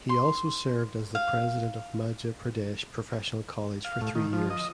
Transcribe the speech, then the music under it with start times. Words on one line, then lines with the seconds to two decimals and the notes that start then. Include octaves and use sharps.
He also served as the President of Madhya Pradesh Professional College for three years.
0.09 C6
1.15 F5
3.85 F5
4.01 A2
4.15 D#3
4.33 F3
4.50 D#5